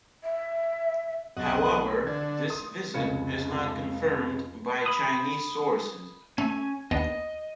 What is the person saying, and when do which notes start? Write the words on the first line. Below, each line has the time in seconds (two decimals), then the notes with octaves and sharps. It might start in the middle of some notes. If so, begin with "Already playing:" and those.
However, this visit is not confirmed by Chinese sources.
0.23 E5
1.37 B1 D#5 F#5
2.07 D3 G#6
2.50 C6 D#6
2.94 F1 C#2 C#3 G#6 C#7
4.86 B5 D#6
6.38 A3 C#4 G#5
6.91 D#2 B3 D4 D#5